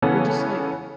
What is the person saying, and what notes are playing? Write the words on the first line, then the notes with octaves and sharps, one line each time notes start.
Well, just like
C#3 E3 B3 C#4 A4